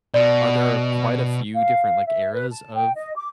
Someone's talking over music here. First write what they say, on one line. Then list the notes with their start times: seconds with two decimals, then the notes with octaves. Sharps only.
are there quite a few different, like, eras of
0.14 B2 D5
1.55 F5
2.07 E5
2.33 B4
2.51 A5
2.75 G5
2.96 D#5
3.16 D6